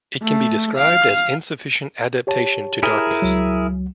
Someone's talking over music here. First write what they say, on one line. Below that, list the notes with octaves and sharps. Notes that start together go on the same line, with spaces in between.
It can be described as insufficient adaptation to darkness.
A3
F5
G4 C#5 A5
E4 G#4 A#4
C#2 F#3